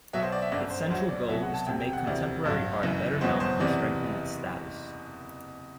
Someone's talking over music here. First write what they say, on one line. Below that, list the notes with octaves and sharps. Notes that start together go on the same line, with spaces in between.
Its central goal is to make contemporary art better known and strengthen its status.
B1 B2 F#3 E5
C5
D5
E5
G1 F#2 D3 D5
C5
D2 D3 F#3 C5
D5
C2 B2 F#3 E5
F#5
A5
E1 D2 C3 G5
G5
F#5
E1 D2 C3 E3 D5
A1 G2 F#3
F#1 F#2 E3
F#1 E2 B2 F#3 C5
C5
F#1 E2 C3 E3 D5